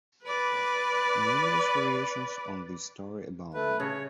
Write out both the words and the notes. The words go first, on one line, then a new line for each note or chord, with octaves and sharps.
Numerous variations on this story abound.
B4 D5
A3 B4
C#3 C#5